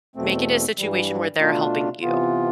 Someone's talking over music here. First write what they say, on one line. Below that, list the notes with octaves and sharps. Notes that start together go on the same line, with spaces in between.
make it a situation where they're helping you.
E2 B2 A3 C4
G2 E3 G3
B2 A3 D4 F4
C3 E3 B3 F4